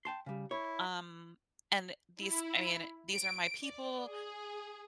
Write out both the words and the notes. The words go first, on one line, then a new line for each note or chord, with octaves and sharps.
um, and these I mean, these are my people,
G5 A5 C6
C#3 G3
E4 C#5
E4
D7
D5
G#4